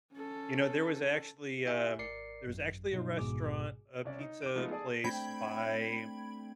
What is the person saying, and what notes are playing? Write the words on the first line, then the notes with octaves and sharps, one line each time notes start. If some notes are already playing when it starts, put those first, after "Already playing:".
You know, there was actually, um, there was actually a restaurant, a pizza place by,
C#4 A4
E4 G4 E5 G#5
G#1 A#4 D5 C7 C#7
G#1 F#2
G2 B2 F#3 D#4
G#1 F2 G#2 B2 G#4 D6
C2 C#4 D5
D#4
D6 D7
F3 G#3 A3 B3 D#4 F4
G#4 A4 D5 G#5 A5 D#6
A3 C4 D4 G5 B5 G#6